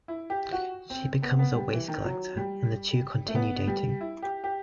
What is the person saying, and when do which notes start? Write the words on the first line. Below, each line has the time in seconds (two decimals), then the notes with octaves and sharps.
She becomes a waste collector and the two continue dating.
0.08 E4
0.30 G4
0.53 F#4
0.90 C4
1.22 B3
1.39 B3
1.55 G3
1.72 E3
1.88 D#3
2.05 F#3
2.37 G3
3.28 A3
3.35 B3
3.67 G3
4.01 E4
4.22 G4
4.44 G4